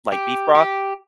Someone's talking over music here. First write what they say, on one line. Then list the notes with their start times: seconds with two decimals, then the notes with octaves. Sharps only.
like, beef broth.
0.12 G4
0.55 G4